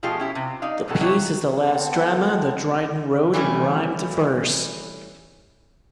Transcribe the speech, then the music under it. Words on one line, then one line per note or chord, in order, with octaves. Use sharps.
The piece is the last drama that Dryden wrote in rhymed verse.
B2 F3 A3 F4 G4 G#4
C#4 E4 G4
C3
D#4 D5 F5
A#2 E3 F#3 G3 B3 A4
F#3 G3 D4 E4 C#5
B3 C4 A4
E3 G3 A3 C#4 E4